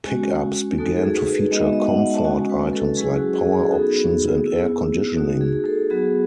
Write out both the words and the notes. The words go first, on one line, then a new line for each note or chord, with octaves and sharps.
Pickups began to feature comfort items like power options and air conditioning.
G#3 C#4 F#4 G#5
A3 D#4 F#4 A4
G#4
B4
G#3 B3 D#4 F#4 D#5
E5
D#5
F#5
A5
G#3 C#4 F#4 G#5
B4
A4
F#3 C#4 E4 G#4
F#4
G#4
G#4
A4
B3 D#4 F#4 G#4
B3 E4
A3 D#4 F#4
G#4
A4
F#3 B3 F#4 G#4